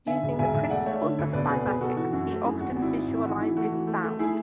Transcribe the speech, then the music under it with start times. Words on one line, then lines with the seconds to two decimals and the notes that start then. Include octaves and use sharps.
Using the principles of Cymatics he often visualizes sound.
0.06 D3 E5 G#5
0.23 E1
0.39 E1 E5 G#5
0.54 E1 E5 G#5
0.70 A3 D5 F#5
0.86 A3 C#5 E5
1.02 D3
1.18 D2
1.33 B1 B4 D5
1.49 B2 G#4 B4
1.65 B1 G#4 B4
1.81 B2 F#4 A4
1.97 E3 F#4
2.13 F#2 F#4
2.29 A3
2.44 F#2 E4 G#4
2.60 G#1 F#4
2.72 G#1 F#4
2.82 E4
2.92 G#2
3.08 G#1
3.16 E4
3.24 E3 F#4
3.39 E3 E4
3.56 A3 F#4
3.72 E3
3.87 A3
4.03 A3
4.19 A3 E4 G#4